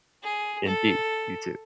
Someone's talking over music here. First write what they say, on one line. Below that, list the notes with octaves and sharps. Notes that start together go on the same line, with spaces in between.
Indeed, you too.
G#4
A4